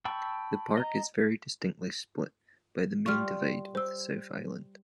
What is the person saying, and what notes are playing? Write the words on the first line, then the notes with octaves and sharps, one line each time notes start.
The park is very distinctly split by the main divide of the South Island.
G5 A5 B5 C#6 E6
D#5 A#5
G3 F4 C#6 F6
C5 E6